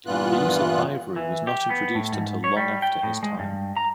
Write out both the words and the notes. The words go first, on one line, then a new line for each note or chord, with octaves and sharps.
The use of ivory was not introduced until long after his time.
G2 A#2 E3 B3 F4 F#6
E3
G4
B3
A2
G#2
C#5
G3
G5
A2
G#3
G2
A#5